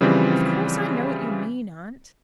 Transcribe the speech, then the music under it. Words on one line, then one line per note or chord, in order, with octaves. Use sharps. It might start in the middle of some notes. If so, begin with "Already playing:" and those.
"Of course, I know what you mean, aunt?"
C#3 E3 F3 G3 C4